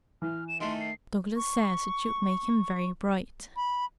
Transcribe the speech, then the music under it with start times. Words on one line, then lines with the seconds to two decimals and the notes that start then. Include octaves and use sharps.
Douglas says it should make him very bright.
0.22 E3 F6
0.48 E7
0.61 D#3 A3 C6
0.80 C7
1.37 C#6
3.56 B5